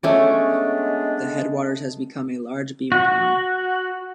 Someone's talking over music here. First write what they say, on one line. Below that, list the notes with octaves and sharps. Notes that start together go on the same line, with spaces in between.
The headwaters has become a large beaver pond.
G#3 A3 B3 C#4 D4 D5
F#4